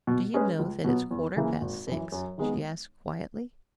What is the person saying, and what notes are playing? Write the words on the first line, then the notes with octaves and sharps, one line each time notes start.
"Do you know that it's quarter-past six?" she asked quietly.
B2
G#3 C#4 G#4 B4
C#2
B2 F#3 B3
E2
C#3 E3 A#3
G#1
F#2 E3
F#2
D#3 G#3 B3 D#4